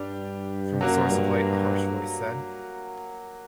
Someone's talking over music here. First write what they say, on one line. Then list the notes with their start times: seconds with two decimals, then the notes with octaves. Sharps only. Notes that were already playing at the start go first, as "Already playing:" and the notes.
From the source of light a harsh voice said.
Already playing: G2 G3 D4 G4
0.81 F#2 F#3 A#3 F#4
1.11 G2